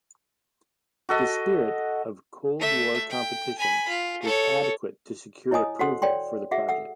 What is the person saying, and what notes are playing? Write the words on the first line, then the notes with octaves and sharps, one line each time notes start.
The spirit of cold war competition was adequate to secure approval for the project.
F#4 A4 D#5
A3 E5
G5
G#5 B5
F4
A4 C#5
E4 C#5 D#5 G#5 D#6
F#4 A4 C5 F#5 C6 E6
C#5 D5 G5 C6
F#4 G#4 E5 F#5
A4 F#5 E6